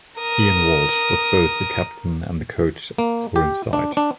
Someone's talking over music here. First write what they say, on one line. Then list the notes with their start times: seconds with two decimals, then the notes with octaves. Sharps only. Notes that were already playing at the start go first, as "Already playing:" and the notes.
Ian Walsh was both the captain and the coach of the touring side.
0.19 A#4 D#6
2.98 A#3
3.36 G4
3.73 D4
3.97 D4